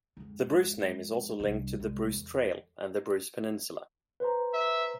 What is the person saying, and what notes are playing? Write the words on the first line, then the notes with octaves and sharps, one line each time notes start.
The Bruce name is also linked to the Bruce Trail and the Bruce Peninsula.
F2 G#2
C2 G2
C2 G#3
E2
B4 C5 A#5
E5